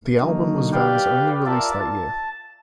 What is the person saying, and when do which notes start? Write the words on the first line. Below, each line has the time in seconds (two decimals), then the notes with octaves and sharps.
The album was Van's only release that year.
0.21 D3 F#3 A#3 D#4
0.73 G4 B4 D5 F5 G5
1.46 F4 A#4 D5 E5 A5
1.79 A5